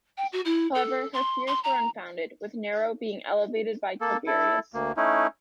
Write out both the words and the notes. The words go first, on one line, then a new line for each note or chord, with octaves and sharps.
However, her fears were unfounded, with Nero being elevated by Tiberius.
G5
F#4
E4
A4
C6
C6
A#5
A#3 A4
E4 A4
D2 A#3
A3 C#4 D#4 E4